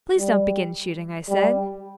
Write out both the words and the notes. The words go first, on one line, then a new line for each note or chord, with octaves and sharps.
'Please don't begin shooting,' I said.
G3
G3